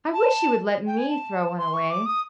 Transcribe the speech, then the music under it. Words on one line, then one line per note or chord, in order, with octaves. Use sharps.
"I wish you would let me throw one away."
A5
G5
G#5
A5
C6
C#6
D6
D#6